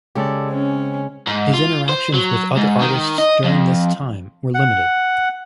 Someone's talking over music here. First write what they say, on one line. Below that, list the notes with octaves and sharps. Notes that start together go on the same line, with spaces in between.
His interactions with other artists during this time were limited.
C#3 G#3 G4 A4 D5
C4 C#4
G#2
F4
C5
F#3
G#2
D#3
D#5
F2
F#5